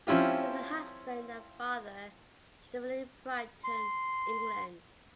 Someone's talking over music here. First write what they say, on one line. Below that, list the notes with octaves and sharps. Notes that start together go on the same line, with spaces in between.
He is a husband and father living in Brighton, England.
F3 C4 C#4 E4 F4 G4
C6